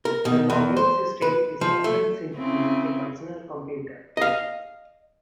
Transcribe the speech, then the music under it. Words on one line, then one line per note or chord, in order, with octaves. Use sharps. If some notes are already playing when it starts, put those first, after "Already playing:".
The logging system is often simply a personal computer.
A#4
B2
E2
C5
B4
F3
A3
C#3 C4 E4
D#5 F5